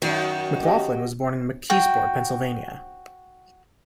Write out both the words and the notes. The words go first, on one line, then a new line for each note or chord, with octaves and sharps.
McLaughlin was born in McKeesport, Pennsylvania.
F#2 A2 D#3 F#4
G4 D#5 G5
F#4 G5